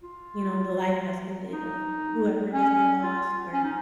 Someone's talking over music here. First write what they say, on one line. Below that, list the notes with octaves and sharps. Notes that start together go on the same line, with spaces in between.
you know, the life has ended of whoever it is they lost or
F4
D#4
C#4
F4
C#4
D#4